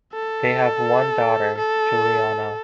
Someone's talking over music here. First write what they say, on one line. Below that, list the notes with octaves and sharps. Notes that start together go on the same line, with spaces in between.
They have one daughter, Juliana.
A4
A4